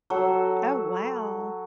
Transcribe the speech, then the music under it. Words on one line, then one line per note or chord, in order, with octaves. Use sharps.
Oh, wow.
F#3 A4